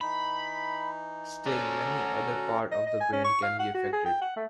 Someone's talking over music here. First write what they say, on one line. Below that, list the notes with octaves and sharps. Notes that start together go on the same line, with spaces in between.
Still, many other part of the brain can be affected.
E3 D#4 B5
C#4 F#4 A4 D5 A#5
D#5
D#5
G#5
C#4
C#6
F5
F#5
F#4
G#4
G5
F#5
A3